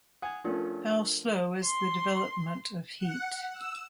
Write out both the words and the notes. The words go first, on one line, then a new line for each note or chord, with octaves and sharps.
How slow is the development of heat.
F#5 G#5 D#6 G#6
F3 A3 C#4 D4 F4 A#4
C6
F#5
E6